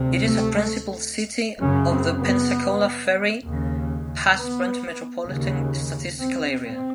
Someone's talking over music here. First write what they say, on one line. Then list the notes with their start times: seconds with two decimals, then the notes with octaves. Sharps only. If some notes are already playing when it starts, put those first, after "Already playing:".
It is a principal city of the Pensacola-Ferry Pass-Brent Metropolitan Statistical Area.
Already playing: D2 C3
0.22 A3
1.59 F#2 C#3 C#4
1.91 C4
2.21 B3
3.43 D#2 C#3
4.34 B3
5.26 D#2 C#3
6.18 C4
6.64 C4